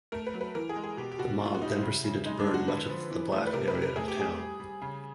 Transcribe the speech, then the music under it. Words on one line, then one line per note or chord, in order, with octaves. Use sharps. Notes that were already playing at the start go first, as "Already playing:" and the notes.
The mob then proceeded to burn much of the black area of town.
A3 A#4
B4
F#3
B4
E3 A#4
G#4
G#3
G#4
B2 G4
G4
B2 F#4
A2
F4
F#4
G3 D#4
E4
C#3
C#3
G#3 D#4
D4
G#3
F#4
D3 B4
F3
E3
A3
B4
C3 A#4
B4
C3
A#4
A3 G#4
G4
A3 G#4
G3
G3
C#3